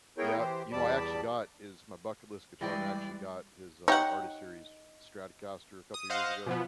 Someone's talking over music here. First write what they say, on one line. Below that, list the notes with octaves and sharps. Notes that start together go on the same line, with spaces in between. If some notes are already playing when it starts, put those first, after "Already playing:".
Yep. You know, I actually got his my bucket list guitar and actually got his, um, artist series Stratocaster a couple of years ago.
B3 E4 G#4 A#4 C#5 G5
E3 G4 C5
E2 G3 D5 A5 B5
E3 G3 G#3 D5 D#5 G5 C#6
D#4 G4 C#5 F#5
D#6
C5 D#5 F5 F#5
B2 F3 B3